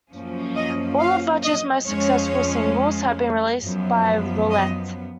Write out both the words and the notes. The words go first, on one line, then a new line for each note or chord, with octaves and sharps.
All of Rodgers' most successful singles had been released by Roulette.
F#2 F3 A#3 C#4
D#5
F5
D#5
F2 F3 G#3 C#4 C#5
F#2 F3 B3
D#5